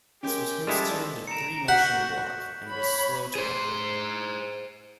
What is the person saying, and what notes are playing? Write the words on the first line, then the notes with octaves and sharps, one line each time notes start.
This was hence termed a "three motion block" and was slow to operate.
G#3 C#4 G4 A#4
F3 G3 G#3 E4 A4 C6 E6
A#5 C#7 D7 E7
F#4 F#5 F#6 G6 B6
C#5 B5
G#4 C5